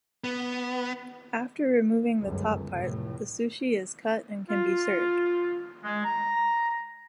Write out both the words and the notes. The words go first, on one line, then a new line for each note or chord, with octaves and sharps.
After removing the top part, the sushi is cut and can be served.
B3
G1 C#2 F#2
F1 A2
F4
G#3
A#5